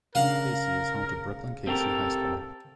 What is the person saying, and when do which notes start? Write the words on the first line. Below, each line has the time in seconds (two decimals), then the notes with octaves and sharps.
Cayce is home to Brookland-Cayce High School.
0.15 C#3 D4 A#4 F5 F#5
1.67 C4 G4 A4 A#4